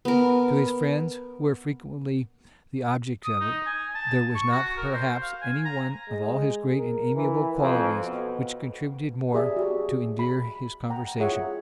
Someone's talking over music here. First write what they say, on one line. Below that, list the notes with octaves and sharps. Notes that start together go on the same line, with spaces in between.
To his friends who were frequently the objects of it, there was not perhaps any one of all his great and amiable qualities which contributed more to endear his conversation.
B3 A#4
D#6
D#4
G#5
A5
C#6
F#4
A#4
C5
F5
G#5
A#5
G#3
A#4
E3
F2
B2
G4 G#4 D5 E5 A5
F#4 G4
B5
F#5 G5 A#5
F4 G#4 C#5 E5 F#5